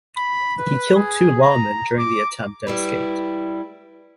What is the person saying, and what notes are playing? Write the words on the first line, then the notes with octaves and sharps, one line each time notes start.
He killed two lawmen during the attempt and escaped.
B5
B4
G#4
A#5
D6
G3 E4 B4